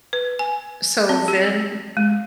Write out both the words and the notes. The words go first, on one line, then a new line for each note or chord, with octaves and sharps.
So then,
B4
G#5
C4
G4
G#3